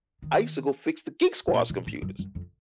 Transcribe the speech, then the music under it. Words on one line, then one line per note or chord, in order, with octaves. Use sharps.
I used to go fix the Geek Squad's computers.
D#3
B2
A#2
B2
G#2
F#2
F#2
F2